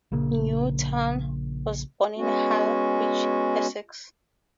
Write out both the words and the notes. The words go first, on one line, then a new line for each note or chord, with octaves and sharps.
Newton was born in Harwich, Essex.
A#1 C#3 A#3
G#3 B3 C#4 F#4